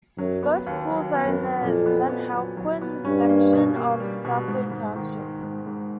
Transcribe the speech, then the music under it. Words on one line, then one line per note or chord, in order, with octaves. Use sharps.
Both schools are in the Manahawkin section of Stafford Township.
F#2 F#3
B3
D#2
F#3
B3
F#2
F#3
F2 A#2
B3
B3
F#3
F#3
B3
G2 C#4
A#3
B2
A#3
G3
B2
G#2
G#2
D#3
G#3
G#2
G#2